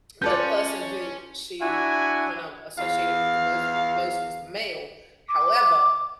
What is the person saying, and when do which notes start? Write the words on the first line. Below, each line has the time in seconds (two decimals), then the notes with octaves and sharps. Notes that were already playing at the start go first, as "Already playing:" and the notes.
the person who she kind of associated with the most with the most was the male. However,
0.22 C#4 F4 A4 B4 D5 G6
1.61 D4 E4 F#4 E5 G#5
2.78 E2 F5
5.29 D6